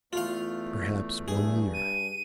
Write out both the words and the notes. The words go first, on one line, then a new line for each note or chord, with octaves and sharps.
'Perhaps one year.'
E2 A3 F4 F5
G2 G#4
D#7